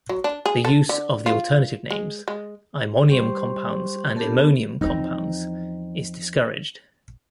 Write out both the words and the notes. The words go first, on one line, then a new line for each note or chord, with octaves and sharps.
The use of the alternative names imonium compounds and immonium compounds is discouraged.
F#3
D4
G#4
A4
D3
F4
G#3
G#3
G3 G4 C5 C6 C#6
B3 D4 G4 A4 A#4 A5
E2 F3 C4 D#4